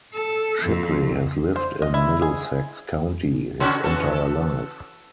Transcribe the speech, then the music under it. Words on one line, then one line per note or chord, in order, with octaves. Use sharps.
Shipley has lived in Middlesex County his entire life.
A4
F2
C5
D#5
E4
G#4
C#3 C#4 F#4
E3 F#4 A4
A4